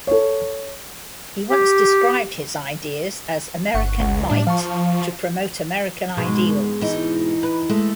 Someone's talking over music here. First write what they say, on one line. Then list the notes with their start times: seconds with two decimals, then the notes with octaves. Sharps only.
He once described his ideas as American might to promote American ideals.
0.07 A4 C#5
1.50 G4
3.74 G1 F#5 C#6
4.00 C#2
4.30 A2 G3 D4
4.47 F3 F5 A5 C#6
6.17 G#2 B2 G#3
6.81 E3 D#4
7.43 B4
7.69 G#3 A3 A4